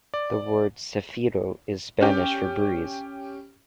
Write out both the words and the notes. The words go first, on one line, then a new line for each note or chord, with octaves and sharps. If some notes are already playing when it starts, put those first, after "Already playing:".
The word "cefiro" is Spanish for "breeze".
D5
C#4 G4